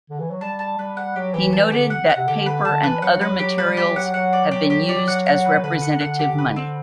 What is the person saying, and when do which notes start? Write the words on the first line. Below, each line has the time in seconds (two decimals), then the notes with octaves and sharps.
He noted that paper and other materials have been used as representative money.
0.10 D3
0.20 E3
0.31 F#3
0.41 G3 A5
0.59 A5
0.78 G3 B4
0.97 F#5
1.16 F#3 G4
1.34 E3 G4
1.53 E3 A5
1.72 D3 G4
1.90 F#5
2.09 F#5
2.16 C3
2.28 D3 G4
2.46 B4
2.65 D3 A5
2.84 E3 B4
3.02 F#3 F#5
3.21 F#3 B4
3.39 F#3 G4
3.58 B4
3.65 G3
3.77 G4
3.89 F#3
3.96 F#5
4.14 F#3 F#5
4.33 D5
4.51 G4
4.70 G4
4.89 D5
5.08 F#5
5.26 F#5
5.45 B4
5.64 D3 B4
5.82 F#5
6.00 F#5
6.19 G4
6.38 B4
6.56 C4